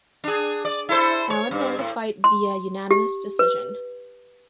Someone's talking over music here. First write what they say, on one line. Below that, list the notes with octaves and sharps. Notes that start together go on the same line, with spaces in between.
Allen won the fight via unanimous decision.
D4 G#4
D5
E4 A4 C5
C#5
G2
A2
C6
G4
B4